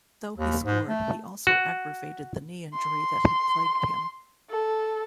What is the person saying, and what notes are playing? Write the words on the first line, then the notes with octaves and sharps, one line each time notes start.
Though he scored, he also aggravated the knee injury that had plagued him.
D#2
G#2
A3
F#4
C6
A4